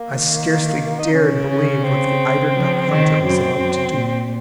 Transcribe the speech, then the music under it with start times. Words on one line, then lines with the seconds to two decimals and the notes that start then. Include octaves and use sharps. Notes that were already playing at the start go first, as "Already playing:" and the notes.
I scarcely dared believe what the eider-duck hunter was about to do.
Already playing: A#3
0.09 D#3
0.99 D#4
1.13 C#3 C#4
1.48 C#4
1.83 C4
2.53 C#3 F3
2.89 D#3
3.24 F#2
3.59 F#2
3.94 A#2